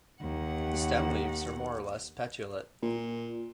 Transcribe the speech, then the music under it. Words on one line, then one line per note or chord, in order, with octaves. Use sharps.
The stem leaves are more or less petiolate.
D#2 F#5
A#2